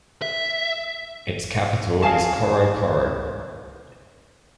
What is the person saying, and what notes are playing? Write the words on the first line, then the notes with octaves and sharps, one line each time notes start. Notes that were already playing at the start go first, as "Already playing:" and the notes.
Its capital is Coro Coro.
E5
G#4 F5 G#5 A5